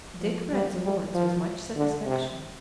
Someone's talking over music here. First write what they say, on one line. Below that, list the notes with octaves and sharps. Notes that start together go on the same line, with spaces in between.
Dick read the words with much satisfaction.
F3
G3
G3
F3
D3
C3